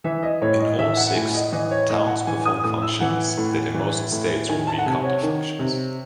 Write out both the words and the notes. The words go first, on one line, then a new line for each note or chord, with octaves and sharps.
In all six, towns perform functions that in most states would be county functions.
E3 E5
D#5
A2 C#5
D#5
E3 E5
F#5
F#5
A2 G#5
D#5
E3 D#5
C#5
A2 D#5
F#5
E3 G#5
D#6
A2 D#6
E6
E3 F#5
A2
E3
A2
D#3 G#5
A5
F#5
C3 G#5
C#5
D#3
C3